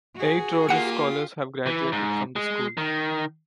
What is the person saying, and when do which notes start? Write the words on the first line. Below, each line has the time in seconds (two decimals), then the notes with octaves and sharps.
Eight Rhodes Scholars have graduated from the school.
0.15 F#4 G#4
0.69 A#3 F4 G4 F#5 C#7
1.67 E3
1.92 G#2
2.36 G#3
2.78 D#3